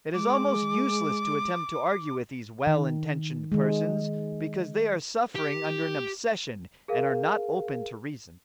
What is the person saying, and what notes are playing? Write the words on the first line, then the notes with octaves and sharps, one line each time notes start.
It is almost useless to attempt to argue with these well-intentioned persons, because they are suffering under an obsession and are not open to reason.
G#3 D6
D#3
D#3 G#3
G4
G#4 A#4 F5